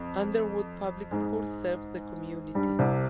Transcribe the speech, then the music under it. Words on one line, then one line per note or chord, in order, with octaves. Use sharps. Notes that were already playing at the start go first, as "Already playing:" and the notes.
Underwood Public School serves the community.
Already playing: F2
G#2 G#3
G2 G3
C2 C3